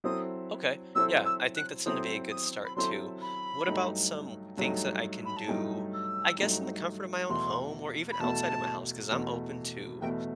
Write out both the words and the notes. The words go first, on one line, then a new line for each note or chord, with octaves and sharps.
Okay. Yeah. I think that's gonna be a good start, too. What about some things that I can do, I guess, in the comfort of my own home or even outside of my house? 'Cause I'm open to
F#3 C4 E4 A4 C5 D#6
F#3 C4 E4 A4 C5 E6
E6
F#6
F#3 C4 E4 A4 C5 D#6
D#6
B5
F#3 C4 E4 A4 C5 C6
B5
G2 F#3 A3 D#4
G2 F#3 A3 D#4
B5
A5
G2 F#3 A3 D#4 G5
E6
G2 F#3 A3 D#4
E2 B2 A3 C6
B5
E2 B2 A3 A5
E2 B2 A3
E2 B2 A3 G5